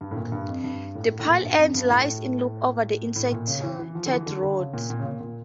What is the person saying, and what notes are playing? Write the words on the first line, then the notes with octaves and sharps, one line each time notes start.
The pile ends lie in loops over the inserted rods.
G2
A2
A#2
G2
F2
G2
A2
A2
A#2
G2
F2
G2
A2
A2
A#2
C#3
E3
E3
F3
D3
E3
D3
D3
C#3
A#2
A#2
C#3
A#2
A#2